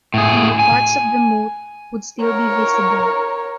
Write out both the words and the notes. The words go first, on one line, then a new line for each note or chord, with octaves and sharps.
Only parts of the moat would still be visible.
A2 G#4
G#5
A#4 C#5